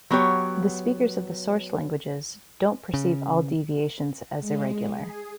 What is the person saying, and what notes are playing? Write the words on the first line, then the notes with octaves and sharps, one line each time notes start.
The speakers of the source languages don't perceive all deviations as irregular.
F#3 B3 G4 C#5
C#3
G#3
G#4